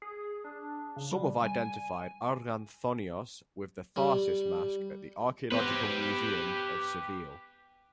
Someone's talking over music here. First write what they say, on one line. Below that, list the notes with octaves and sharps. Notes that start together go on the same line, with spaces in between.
Some have identified Arganthonios with the "Tharsis Mask" at the Archeological Museum of Seville.
G#4
D4
C#3
G3
G#5
G3
B3 G4 B4 C5